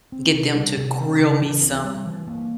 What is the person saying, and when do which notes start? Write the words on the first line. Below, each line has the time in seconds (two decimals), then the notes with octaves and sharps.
get them to grill me some,
0.12 C4
0.33 C3
0.55 G3
0.77 C3
0.98 C#4
1.20 C#3
1.41 E3
1.63 C4
1.84 G3
2.06 E3
2.27 A#3